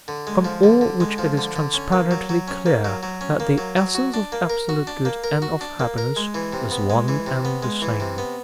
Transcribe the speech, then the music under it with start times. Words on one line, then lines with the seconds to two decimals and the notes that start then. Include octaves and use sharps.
From all which it is transparently clear that the essence of absolute good and of happiness is one and the same.'
0.08 D3
0.27 G#3
0.45 F3
0.63 D3
0.81 D3
1.00 G#3
1.18 F3
1.37 D3
1.56 D3
1.74 C#4
1.92 A#3
2.11 F#3
2.29 F#3
2.48 C#4
2.66 A#3
2.85 F#3
3.03 F#3
3.21 C#4
3.40 A#3
3.58 F#3
3.76 F#3
3.95 F#4
4.14 D4
4.32 A#3
4.50 A#4
4.69 F#4
4.87 D4
5.05 A#3
5.24 A#4
5.42 F#4
5.61 D4
5.80 A#3
5.98 A#4
6.16 G#3
6.34 E3
6.53 C3
6.71 B3
6.90 G#3
7.08 E3
7.26 C3
7.45 B3
7.63 G#3
7.82 E3
8.00 C3
8.18 B3